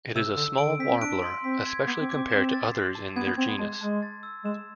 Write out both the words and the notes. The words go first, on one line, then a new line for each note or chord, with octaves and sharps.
It is a small warbler, especially compared to others in their genus.
C3 E6
D3 E6
D3 D7
D3
C4 B6
C4
D4 D7
C6
C4 B6
G#6
B3 D6
C4
D6
C4
C4 E7
A6
C7
A5
B3 G#6
B3
C4 C6
B3
G#3 A5
G#3 A5
A6
E6
G#3 E7